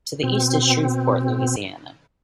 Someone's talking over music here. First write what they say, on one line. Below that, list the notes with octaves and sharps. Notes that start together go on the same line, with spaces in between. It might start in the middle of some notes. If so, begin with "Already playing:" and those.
To the east is Shreveport, Louisiana.
B2 C4